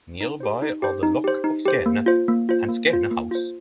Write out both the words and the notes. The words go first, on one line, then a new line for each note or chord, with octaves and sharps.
Nearby are the Loch of Skene and Skene House.
D#4
G4 C5
D#4
G4 C5
D#4
G4 C5
D#4
G4 C5
A#3
F4 C5
A#3
F4 C5
A#3
F4 C5
A#3
F4 C5